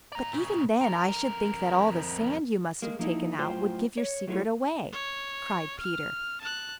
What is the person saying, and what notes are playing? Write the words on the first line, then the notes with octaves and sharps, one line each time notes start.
"But even then, I should think that all the sand you must have taken out would give your secret away," cried Peter.
D5 A#5
A#2 C#3
F2 A#4
G#3 A#3
F3 A#3 D#4 E4
F#2 A2 F4 C5 G5
C#5
F#3 A3 E4 F4 C#5
C#5
F6
A5 F#6